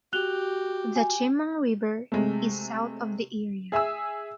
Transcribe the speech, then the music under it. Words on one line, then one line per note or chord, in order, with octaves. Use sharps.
The Chemung River is south of the area.
F#4 G4 F#6 F7 G7
G#5
C3 G#3 A3
G#4 E5 G#5 E6